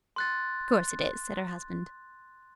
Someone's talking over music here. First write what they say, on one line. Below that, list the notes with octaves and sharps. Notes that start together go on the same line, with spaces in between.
"Course it is!" said her husband.
C6 F#6 A6